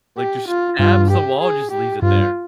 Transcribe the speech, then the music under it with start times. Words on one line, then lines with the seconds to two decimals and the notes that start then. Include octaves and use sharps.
Like, just stabs the wall and just leaves it there,
0.17 G4
0.48 F4
0.79 G2 F4
1.10 G4
1.41 G#4
1.71 G4
2.02 G2 F4